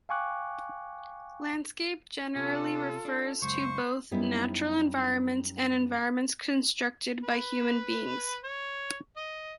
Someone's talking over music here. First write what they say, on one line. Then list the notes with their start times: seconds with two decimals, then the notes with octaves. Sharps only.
Landscape generally refers to both natural environments and environments constructed by human beings.
0.09 F5 G5 G#5 C#6 D6 F#6
2.36 C3 C#4 F4 A4
3.05 D4
3.42 C#2 F#2 C5 C#6
4.11 F#2 G3 B3 C#4 D#4 E4
7.23 B4
8.44 C#5
9.16 D#5